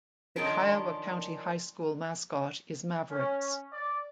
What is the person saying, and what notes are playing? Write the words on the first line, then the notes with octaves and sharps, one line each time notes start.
The Kiowa County High School mascot is Mavericks.
D#3 F3 C#4 D4 A#4
C#4
D5